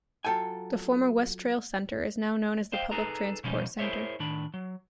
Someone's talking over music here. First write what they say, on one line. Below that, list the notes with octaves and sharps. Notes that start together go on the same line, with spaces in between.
The former Westrail Centre is now known as the Public Transport Centre.
F#3 F4 A4 G5 G#5
C5 D#5 F5 G5
D#4 G#4 A4 B4 A#5
B2 F3 G3 G#3 C#4 D#4
E4 G#4 A#4 C5 C#5 E5
A2 D#3 D4 B5
F#3